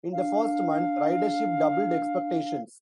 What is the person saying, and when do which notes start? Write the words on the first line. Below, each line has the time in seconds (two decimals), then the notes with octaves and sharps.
In the first month, ridership doubled expectations.
0.13 D4 F5